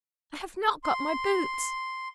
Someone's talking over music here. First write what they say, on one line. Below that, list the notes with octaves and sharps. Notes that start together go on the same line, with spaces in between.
I have not got my boots!
C6